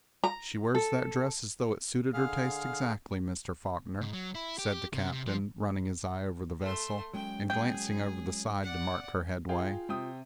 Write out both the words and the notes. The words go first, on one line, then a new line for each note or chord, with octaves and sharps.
"She wears that dress as though it suited her taste exactly, Mr. Faulkner," said the captain, running his eye over the vessel, and glancing over the side to mark her headway.
A#5
A4
D3 G#4 F5 F6
G#2
F#3
E4
G4
G4
C3
C3
F3
A3 C6
F#3 G#3 C#4 G5
G#4 G5
D5 F#5
F4 G#4 F5 G5
C3 G5 D#6